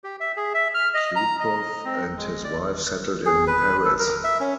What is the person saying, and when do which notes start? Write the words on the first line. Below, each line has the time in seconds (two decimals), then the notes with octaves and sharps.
Kutepov and his wife settled in Paris.
0.04 G4
0.20 E5
0.37 G#4
0.54 E5
0.74 F6
0.94 D#5
1.16 A#5
1.40 D#5
1.85 C4
2.17 G#3
2.44 D5
3.26 G#4
3.47 B4
3.85 A4
3.99 A#4
4.24 E5
4.40 C#4